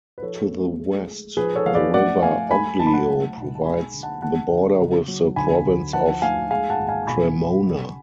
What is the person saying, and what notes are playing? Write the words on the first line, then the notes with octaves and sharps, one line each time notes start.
To the west, the River Oglio provides the border with the Province of Cremona.
B4
F3 A4 C#5
A3
G#3
G#3
F3 G#4 B4
A4 C#5
F3 F5
B4 D5
A3 D5 F#5
A3 F5 G#5
A3 G#5 B5
F#3 A5
B5
F#5 A5
A3
B1
A5
G#3 G#5 B5
D3
F#5 A5
G#3 F#5 A5
D3
C#3
F#3
D2 G#5 B5
D2
F3 F#5 A5
A3 F5 G#5
G#3 F5 G#5
F#5 A5
G#1
F5 G#5
B2 G#5 B5
B2
C#3